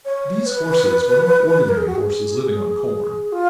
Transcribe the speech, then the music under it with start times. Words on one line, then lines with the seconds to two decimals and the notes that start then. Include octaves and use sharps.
These horses were not ordinary horses, living on corn.
0.05 C#5
0.46 B4
1.69 A#4
1.77 G#4
1.87 F#4
1.95 G#4
3.32 F4